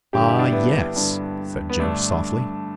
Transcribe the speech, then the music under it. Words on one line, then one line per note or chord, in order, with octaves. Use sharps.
"Ah, yes," said Joe, softly.
G2 D3 G4
E4
D4
B3 E4
G2 D3
B3
G2 D3 A3 D4